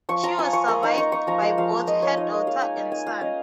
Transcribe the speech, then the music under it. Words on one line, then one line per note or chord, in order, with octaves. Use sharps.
She was survived by both her daughter and son.
F3 C#6
F3 A#5
F4 G#5
F4 C#6
A#3 A#5
D#4 A#5
D#4 C#6
D#4 C#6
F3 A#5
G#3
F3 F5
F3
A#3 D#5
A#3 C#5
D#4 D#5
A#3
G#3 F5
D#4 G#5
D#4
D#4 G#5
F4 F5
C#4 D#5